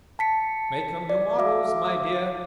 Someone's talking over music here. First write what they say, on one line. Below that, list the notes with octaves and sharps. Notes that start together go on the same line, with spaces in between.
Make 'em your models, my dear.
A5 B6 C#7
D5
F#4 E5 F5 D6